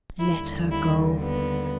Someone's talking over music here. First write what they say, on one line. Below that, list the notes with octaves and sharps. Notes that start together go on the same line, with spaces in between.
Let her go!'
D#2 D3 G3 E4
E4
B3